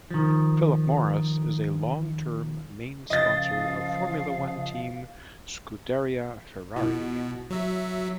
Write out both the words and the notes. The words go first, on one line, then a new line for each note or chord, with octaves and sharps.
Philip Morris is a long-term main sponsor of Formula One team Scuderia Ferrari.
D#3 F3
C#3 F3 D#5 F5 A6
B2 E4 F4
F#3 E5